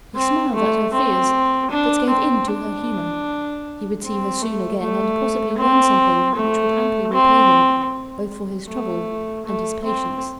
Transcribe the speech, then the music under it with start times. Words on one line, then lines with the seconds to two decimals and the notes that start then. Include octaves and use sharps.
He smiled at her fears, but gave in to her humour; he would see her soon again and possibly learn something which would amply repay him, both for his trouble and his patience.
0.16 C4
0.55 A3
0.94 C4
1.71 D4
2.10 C4
2.48 D4
4.04 C4
4.42 A3
4.81 A3
5.58 C4
6.36 A3
7.13 C4
8.68 A3
9.46 A3
9.85 C4